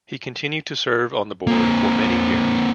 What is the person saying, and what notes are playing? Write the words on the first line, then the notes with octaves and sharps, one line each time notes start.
He continued to serve on the board for many years.
A#3 C4